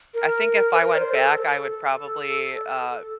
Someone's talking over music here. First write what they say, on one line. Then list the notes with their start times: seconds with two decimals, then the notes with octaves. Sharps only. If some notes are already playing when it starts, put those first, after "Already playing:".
I think if I went back, I would probably, uh,
0.14 A#4
0.74 C5
0.78 A#4
0.94 D5
0.97 C5
1.13 A4
1.33 A#4
1.38 A4